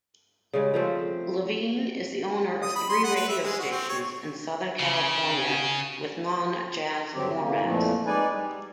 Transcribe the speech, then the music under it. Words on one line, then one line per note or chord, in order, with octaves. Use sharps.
Levine is the owner of three radio stations in Southern California with non-jazz formats.
C#3 G3 G#3
F3 A3 C4
D#6
B5
C6
F#5
B4
E5
G#3
F#4
C4
C#5
C#3
G2 D3 F#3 C4 G4
D3 E3 A#3
F2 A#2 E3 F3 A3
G#3 D#4 B4 D5 G#5
G3